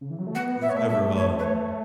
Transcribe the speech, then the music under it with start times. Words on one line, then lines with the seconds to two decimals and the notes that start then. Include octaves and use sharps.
who's ever um,
0.01 C#3
0.10 E3
0.18 F#3
0.27 A3
0.35 B3 F#5
0.62 E5
0.69 C#5
0.75 A3 E5
0.89 E5
1.17 C#5
1.39 B4
1.44 C#5